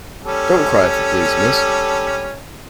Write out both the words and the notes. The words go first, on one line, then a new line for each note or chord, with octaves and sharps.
Don't cry, if you please, miss!
G3 C#4 A4